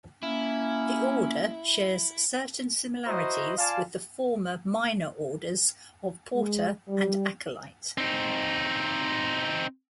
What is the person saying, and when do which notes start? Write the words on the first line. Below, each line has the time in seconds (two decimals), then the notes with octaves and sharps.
The Order shares certain similarities with the former Minor Orders of Porter and Acolyte.
0.23 A#3 C#4 E4
3.07 E4 F#4 C5 D#5 A#5
3.57 F4 D5 F5 G#5 A5
6.35 G#3
6.89 G3
7.98 C4 D#4